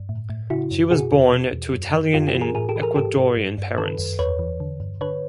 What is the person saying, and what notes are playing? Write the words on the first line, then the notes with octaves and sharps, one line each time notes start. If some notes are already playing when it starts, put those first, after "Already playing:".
She was born to Italian and Ecuadorian parents.
Already playing: G2
A2
A2
C#3 E4 F#4
F#2
B2 F#4 G#4
E2
B2
E2
F#2
E3
F#2 F4 G4
F4 G4
E3
G#4 A#4
A2 G#4 A#4
G4 A4
E3
G#4 A#4
G#2 G4 A4
G#2
G2
G2
D#3 A4 B4
F#2
E2 B4 C#5
E3
D3
G2
D3 B4 C#5